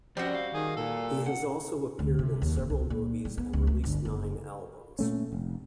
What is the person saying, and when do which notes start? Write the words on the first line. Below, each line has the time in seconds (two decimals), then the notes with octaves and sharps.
He has also appeared in several movies and released nine albums.
0.17 F3 G3 C4 C#4 F#4
0.34 F5
0.54 D#3 G#4
0.77 A#2 A4
1.26 F#5
1.99 D2
2.19 C3
2.42 D#2
2.56 D#1
2.70 C2
2.90 A#2
3.25 G3
3.38 B3
3.53 C#2
3.67 A3
3.84 G1
4.05 F#1
4.99 A#2 A3 C#4
5.33 F1